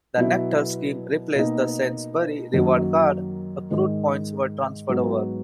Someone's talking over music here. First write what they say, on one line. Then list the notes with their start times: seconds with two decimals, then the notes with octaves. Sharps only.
The Nectar scheme replaced the Sainsbury's Reward Card; accrued points were transferred over.
0.17 B2 F#3 B3 E4
1.35 B2 A#3 D#4
2.54 F#2 D#3 F#3 A#3
3.70 G#2 D#3 G#3
4.89 G#2 F#3 B3